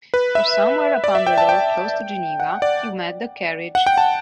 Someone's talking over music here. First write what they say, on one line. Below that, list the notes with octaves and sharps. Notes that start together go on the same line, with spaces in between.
For somewhere upon the road close to Geneva he met the carriage.
B4
E5
D5
E5
G5
A5
G5
F#5
D5
F#5
G5
A5